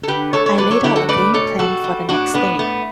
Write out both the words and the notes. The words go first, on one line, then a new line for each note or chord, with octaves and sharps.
I laid out a game plan for the next day.
A4
D3 G4 B4
A3 A4 C#5
C#5
F#3 B4 D5
A4 C#5
D3 E4 G4
F#4 A4
A3 B4 D5
B2 A4 C#5
G3 F#4 A4
G3
A2 D4 F#4
A2 B3 D4
A3 B3